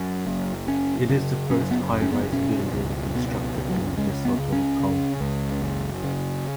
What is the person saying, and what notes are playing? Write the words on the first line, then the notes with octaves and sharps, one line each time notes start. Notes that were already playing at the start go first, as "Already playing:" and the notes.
It is the first high-rise building constructed in DeSoto County.
Already playing: F#2
F#1
F#1 C#4
C#3
F#2 C#4
B3
F#1
C#4
B3
B2 C#4
C#2
B2 B3
C#2
F#3
C#3 G#3
B3
C#2
C#4
C#3
C#2
F#1
C#3